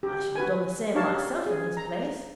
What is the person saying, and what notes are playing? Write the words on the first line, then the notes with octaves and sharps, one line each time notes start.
I should have done the same myself in his place.'
G4
F#4 B4 G#5
D4 D#4 G4 C#5 F5 A5
G#4
A#5